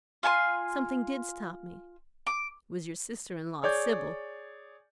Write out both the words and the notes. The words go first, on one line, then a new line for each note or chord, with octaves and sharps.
Something did stop me; it was your sister-in-law, Sibyl.
F4 G#5 A5 C6
D6
G#4 C#5 D5 G6